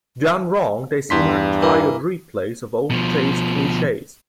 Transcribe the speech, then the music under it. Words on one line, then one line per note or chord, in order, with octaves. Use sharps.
Done wrong, they seem like tired replays of old chase cliches.
E2 G2 C6 B6
E3 A#3
B2 F3